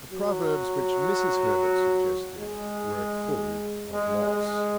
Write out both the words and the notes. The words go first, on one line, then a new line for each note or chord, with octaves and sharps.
The proverbs which Mrs. Herbert suggested were full of moss.
F#3
G#3
G#3
G#3